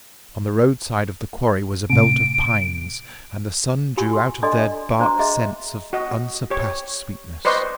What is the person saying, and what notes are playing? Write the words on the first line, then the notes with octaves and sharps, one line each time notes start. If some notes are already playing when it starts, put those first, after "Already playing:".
On the road side of the quarry was a belt of pines, and the sun drew out of their bark scents of unsurpassed sweetness.
A2 C3 D7
F4 G4 G#5 C#6
C6
D4 A4 D5 D#5 G#5 C6
D4 C5 A#5 C6
G#4 D#5 E5 C6
F#4 D#5
G4 C#5
B4 C5 D5 D#5 C6 C#6